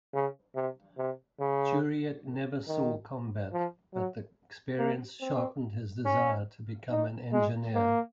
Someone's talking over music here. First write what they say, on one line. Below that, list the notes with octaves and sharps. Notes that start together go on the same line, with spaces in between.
Jureit never saw combat but the experience sharpened his desire to become an engineer.
C#3
C3
C3
C#3
D#3
F3
F#3
A#3
C4
C#4
D#4
G#3
A#3